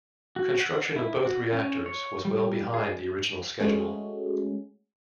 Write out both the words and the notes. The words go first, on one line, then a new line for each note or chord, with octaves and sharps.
Construction of both reactors was well behind the original schedule.
F#4
F#5
E4
F#4
C#4
C#5
G3
G#4
G#3 A3 C#4 F#4 G#4